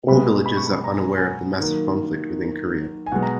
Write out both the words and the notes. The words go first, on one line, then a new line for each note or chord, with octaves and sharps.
All villagers are unaware of the massive conflict within Korea.
B2 G#3 B5
B5
C#6
B5
A#5
G#5
A#5
G#5
F#5
D#3 F#3 A#3
G#5
B2 G#3 F#5
A#5